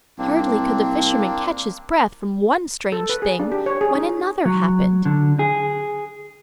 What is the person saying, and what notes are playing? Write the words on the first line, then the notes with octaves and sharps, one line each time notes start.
Hardly could the fisherman catch his breath from one strange thing when another happened.
C2 A#3 C4 D4
A4
B4
G#4
D4
G4
C#5
G#4
D#4
F#3
D3
G#4